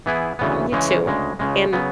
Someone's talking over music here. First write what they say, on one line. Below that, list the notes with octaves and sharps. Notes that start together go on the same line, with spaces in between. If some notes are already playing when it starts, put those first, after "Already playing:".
You too. And,
E3 B3 E4 G#4
D2 C#3 E3 B3
C#3 E3 G#3 C#4
D2 C#3 G#3
C#2 C#3 G#3
C#3 F#3 B3